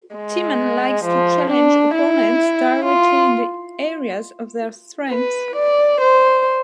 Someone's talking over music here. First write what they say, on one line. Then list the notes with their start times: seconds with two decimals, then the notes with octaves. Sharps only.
Timman likes to challenge opponents directly in the areas of their strengths.
0.15 G#3
1.05 F3
1.51 D4
1.96 E4
2.85 F4
5.10 B4
5.56 D5
6.01 C5